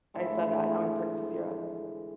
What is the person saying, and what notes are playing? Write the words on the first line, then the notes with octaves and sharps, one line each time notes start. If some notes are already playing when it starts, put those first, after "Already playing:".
I said that, now he perks his ear up-
A2 D3 E3 G#3